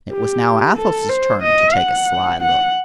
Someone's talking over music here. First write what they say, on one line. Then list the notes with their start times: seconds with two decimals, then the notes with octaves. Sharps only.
It was now Athos's turn to take a sly look.
0.11 G4
0.77 A4
1.09 C5
1.42 D#5
1.75 F#5
2.41 F#5